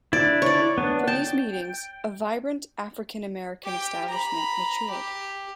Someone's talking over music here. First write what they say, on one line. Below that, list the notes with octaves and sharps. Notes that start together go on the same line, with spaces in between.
From these meetings, a vibrant African-American Establishment matured.
D4 E4 D5
C#5 D5
B3 D4
G5 A5
G4 G5
A#5 B5
G4